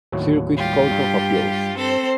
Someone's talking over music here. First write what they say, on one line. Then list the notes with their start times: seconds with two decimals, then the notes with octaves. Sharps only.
Circuit Court of Appeals.
0.12 D#2 A2 F#3
0.57 G3 F4 G4
0.91 G2
1.76 C4 A4 C5